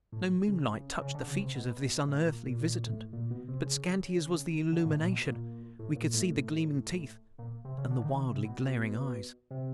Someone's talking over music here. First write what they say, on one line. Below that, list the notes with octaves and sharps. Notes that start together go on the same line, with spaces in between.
No moonlight touched the features of this unearthly visitant, but scanty as was the illumination we could see the gleaming teeth--and the wildly glaring eyes.
A2
C#3
C#3
D3
C#3
C3
B2
A2
A#2
A#2
A#2
A2
A#2
B2
C3
C#3
D3
A2
A#2
B2
A#2
A2
A#2
A2
A2
A#2
C3
C#3
D3
D#3
C3
B2
C3